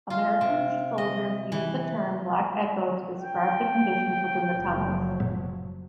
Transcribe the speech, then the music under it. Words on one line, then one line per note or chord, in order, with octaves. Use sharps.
American soldiers used the term "Black Echo" to describe the conditions within the tunnels.
F4
C3
D#5
E3
G5
F#1 F3 F#3